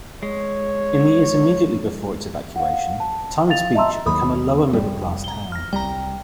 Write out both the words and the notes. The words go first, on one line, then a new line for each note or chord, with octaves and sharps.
In the years immediately before its evacuation, Times Beach had become a lower-middle-class town.
G#3 C#5
F5 F#5
A5
F5 A6 F7
D#5 E5 A5 A#5 C6 E6
D#2 D#3 F#3 B5 D#6
F1 G3
A#5 G7
F6 A#6
C2 G3 G5 A#5